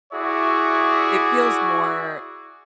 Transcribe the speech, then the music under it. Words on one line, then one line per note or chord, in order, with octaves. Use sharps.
It feels more
E4 F#4 G#4 D5 E5 C#6